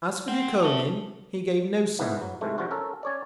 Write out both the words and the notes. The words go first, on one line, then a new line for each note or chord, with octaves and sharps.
As for Dukhonin, he gave no sign.
C4 F#5
G#4 C#5 E5 A5
G#2 E3 A#3 B3
F#3
G#2 C3 E3 G#3 A3
C3 F3 G3 F4 F#4
C#4 A4 A#4
C#4 C#5 D5